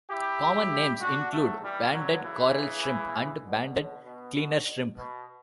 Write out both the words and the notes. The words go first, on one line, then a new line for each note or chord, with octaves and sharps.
Common names include banded coral shrimp and banded cleaner shrimp.
E4 G4
D4 F#4
F#3 A3
E3 G3
D3 F#3
C#3 E3
B2 D3
B2
B2
B2